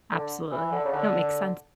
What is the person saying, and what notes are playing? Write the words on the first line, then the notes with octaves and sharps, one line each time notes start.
Absolutely, no, makes sense.
D3
E3
D3
C#3
D3